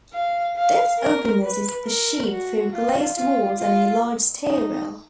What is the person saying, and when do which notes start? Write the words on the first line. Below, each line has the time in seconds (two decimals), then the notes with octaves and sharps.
This openness is achieved through glazed walls and a large stairwell.
0.13 F5
0.57 F5
0.99 A#4
1.43 B4
1.86 A#4
2.29 F#4
2.73 F4
3.15 F4
3.59 F4
4.46 D#4